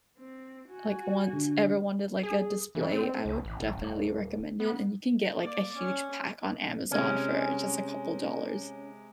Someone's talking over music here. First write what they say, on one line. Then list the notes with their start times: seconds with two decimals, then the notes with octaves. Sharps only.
like, want ever wanted, like, a display, I would definitely recommend it. And you can get, like, a huge pack on Amazon for just a couple dollars.
0.18 C4
0.69 F#4 G#5
1.33 D3
2.23 G#4
2.75 E3
2.92 C4
3.25 C#2
3.45 A1
3.62 A1
3.78 D#1
4.60 B3
5.42 A#3 D5
5.76 C#4
6.91 C3 G#3 C#4